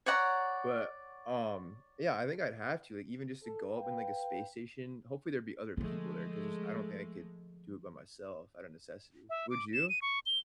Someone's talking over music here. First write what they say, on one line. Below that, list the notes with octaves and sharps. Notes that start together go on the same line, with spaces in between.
but, um, yeah, I think I'd have to, like, even just to go up in, like, a space station, hopefully, there'd be other people there 'cause there's I don't think I could do it by myself out of necessity. Would you?
C#5 D5 F#5 A#5
A4
B4 F5 G5
D3 F3 G#3 A3
E5
D6
E7
D#7
C#6
G7